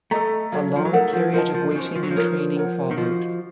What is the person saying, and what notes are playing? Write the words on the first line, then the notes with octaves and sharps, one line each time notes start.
A long period of waiting and training followed.
A3 A4 D#5 A#5
F#3 A4 C#5 F5
F3
F#3
A3 D#4 A#4 C#5 F#5
F3
F3 A#4 D#5 A5
F3
F3
D#3 C#4 F#4 C5
F3
F#3
F3
D#4 A#4 C#5
A#4 C#5 F#5
D#3
F3 F#4 C5 D#5